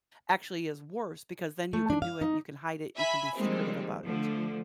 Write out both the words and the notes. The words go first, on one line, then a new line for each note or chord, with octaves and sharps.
actually is worse because then you can do it and you can hide it, you can be secretive about it.
A3
D4
F5
D#4
E5 G#5 B5
D#3 F3 G3 G#3 A#3 C4
D3 F3 A3